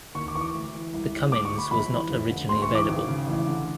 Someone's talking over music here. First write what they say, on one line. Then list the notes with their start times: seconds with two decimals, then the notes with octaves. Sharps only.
The Cummins was not originally available.
0.15 D#2 C#6
0.28 D6
0.35 E3 C#6
0.41 D6
0.54 D2
0.74 E3
0.93 C2
1.12 C2
1.32 D2 D6
1.45 C#6
1.52 D2
1.58 B5
1.71 A#1 B5
1.91 E3
2.11 F1
2.29 D3
2.49 D2 C6
2.62 C#6
2.68 E3
2.75 D6
2.89 G#1
3.08 C#3
3.27 A1
3.47 D3